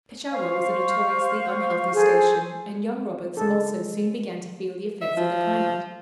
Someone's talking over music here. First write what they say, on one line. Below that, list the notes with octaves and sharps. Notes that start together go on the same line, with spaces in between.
Peshawar was a notoriously unhealthy station, and young Roberts also soon began to feel the effects of the climate.
C5 F5 C#6
G#4 A4 C5 G#5
G#3 A4
E5
F3